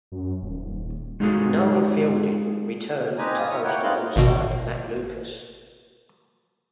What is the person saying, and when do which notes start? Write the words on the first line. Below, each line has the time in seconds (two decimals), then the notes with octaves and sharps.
Noel Fielding returned to host alongside Matt Lucas.
0.12 F#2
0.42 D#1
1.20 G#3 D#4 F4 F#4 G#4 A4
3.18 C4 D#4 G4 B4 G#5 A#5
3.37 F4 D#6
3.50 C#5 E5 D#6
3.64 A#3 E4 C#5 F#5 G5
3.83 C4 D#4 F4 F5 F#6 G6
4.16 G#1 B2